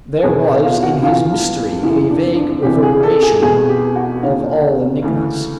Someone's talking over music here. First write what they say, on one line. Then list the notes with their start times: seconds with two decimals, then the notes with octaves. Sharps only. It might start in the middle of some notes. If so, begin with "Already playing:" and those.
There was in his mystery a vague reverberation of all enigmas.
0.23 E2 B2 G#4
0.63 F4
0.83 F#4
1.02 G2 E3 F4
1.83 F#2 C#3 E3 E4
2.10 D4
2.36 D4
2.62 C2 C3 E3 G4
2.83 G#4
3.03 A4
3.22 G#4
3.42 E2 B2 G#4
3.69 G4
3.95 F#4
4.22 D#2 D3 F4
5.02 D2 C#3 E3